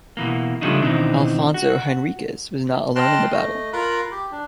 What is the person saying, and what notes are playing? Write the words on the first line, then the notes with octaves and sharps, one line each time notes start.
Afonso Henriques was not alone in the battle.
B2 E3 A#3
C#3 F3 G3 A3 D4 D#4
B2 D#3 E3 C4 D4 D#4
F#4
D#5 G5 A5 C6 F6 F#6
A3 D#5
F4 A#4 F5 A#5 B5 F#6
G4
D4